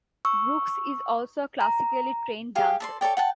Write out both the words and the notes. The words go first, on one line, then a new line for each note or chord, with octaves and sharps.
Brooks is also a classically trained dancer.
C#6 E6
A#5
G4 G#4 F5 G5
A4 D5 C6
A4 C#5 D5 G5
F#5 G5 A5